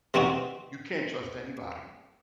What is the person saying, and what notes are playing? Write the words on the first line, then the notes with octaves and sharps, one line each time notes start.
you can't trust anybody,
C3 E3 C4 D#4 F#4